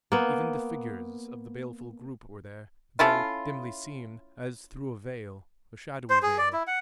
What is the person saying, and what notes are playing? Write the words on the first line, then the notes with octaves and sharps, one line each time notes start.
Even the figures of the baleful group were there, though dimly seen as through a veil--a shadowy veil.
A#3 B3
A3 C#4 E4 F4
C5
G#4
D5
E4
F#5